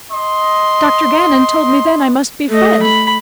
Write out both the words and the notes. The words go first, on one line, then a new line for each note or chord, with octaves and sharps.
Dr. Gannon told me then I must be fed.
D#5 C6
A3 D#5
B5